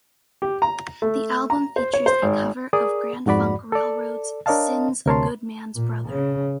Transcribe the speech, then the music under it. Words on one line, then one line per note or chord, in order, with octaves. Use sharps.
The album features a cover of Grand Funk Railroad's "Sin's a Good Man's Brother".
G4
A#5
A3
A#5
C5
C#5
C5
G#1
G#4 A#4 D5 D#6
F2 G#2 F#4 D5 B5
A4 D5
D4 A#4 C#5 D#5 F5 A5
D2 C3 A#4 C#5 A5 C6
A#2
C#3